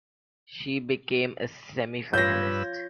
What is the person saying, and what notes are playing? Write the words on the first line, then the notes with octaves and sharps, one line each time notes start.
She became a semi-finalist.
G2 F4 B4 C#5 E6 G6 A#6